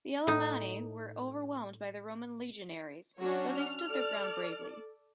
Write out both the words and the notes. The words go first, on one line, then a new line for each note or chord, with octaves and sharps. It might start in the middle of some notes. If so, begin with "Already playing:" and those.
The Alemanni were overwhelmed by the Roman legionaries, though they stood their ground bravely.
A2 D#4
F#3 C#4 D4 F#4 C#5
F6
A4 D5